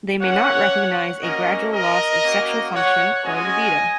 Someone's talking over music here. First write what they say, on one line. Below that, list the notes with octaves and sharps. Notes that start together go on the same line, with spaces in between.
They may not recognize a gradual loss of sexual function or libido.
A#3 C#4 F#4 C#5 F#5
A#3 C#4 F#4 A#4 D#5
A#4 D#5
A#3 C#4 F#4
C#5 F#5
G#3 C#4 F#4 D#5 G#5